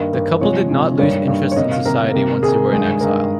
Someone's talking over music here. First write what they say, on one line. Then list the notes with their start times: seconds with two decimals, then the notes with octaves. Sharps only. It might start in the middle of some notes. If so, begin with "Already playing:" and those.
The couple did not lose interest in society once they were in exile.
Already playing: G2 D#3 A#3 D#5
0.13 G2 D#3 A#3
0.41 C3 F3 G#3 C#5
0.69 C3 F3 G#3
0.98 G2 D#3 G3 A#3 C#5
1.27 G2 D#3 G3 A#3
1.52 C#5
1.56 C3 D#3 A#3 D#5
1.71 F5
1.85 C3 D#3 A#3 A#4
2.14 C3 D#3 A#3
2.43 C3 D#3 A#3 G#4
2.72 G2 D#3 G#3
3.01 G2 D#3 G#3 A#4